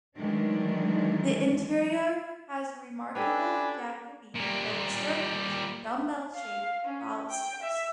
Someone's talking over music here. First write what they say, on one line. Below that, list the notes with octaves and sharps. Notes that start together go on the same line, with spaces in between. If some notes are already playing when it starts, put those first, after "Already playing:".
The interior has a remarkable Jacobean oak staircase with dumbbell-shaped balusters.
D#3 E3 F#3 G#3 A3 D4
C#4 D4 G4 A4 B4 G#5 B5
A#2 G3
F5
C#4
G5
E5